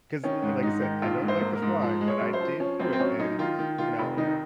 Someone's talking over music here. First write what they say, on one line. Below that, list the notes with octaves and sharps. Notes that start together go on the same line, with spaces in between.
'cause, uh, like I said, I don't like to fly, but I did do it and, you know
D#3 C#4
G#2
G#2 D#4
D#3
A#1 F4
G#2
C5
A#3
A#4
G#2
F3
G#3
C#5
F#2
C5
F3
F3 C#4
F#2 C4
C4
F#2 C#4
F#2 D#4
D#3 F4
D#3
D#3 F4
F1
D#3 D#4